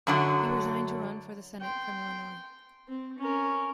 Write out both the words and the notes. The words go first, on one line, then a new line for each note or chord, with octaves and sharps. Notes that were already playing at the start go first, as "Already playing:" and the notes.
He resigned to run for the Senate from Illinois.
F#2 D3 F#3
G5 C6
C4
C#4 A#4